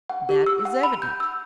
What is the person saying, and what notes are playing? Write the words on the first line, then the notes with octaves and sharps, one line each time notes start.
That is evident.
F#5
G4
E6
F#5
B5
G6
E6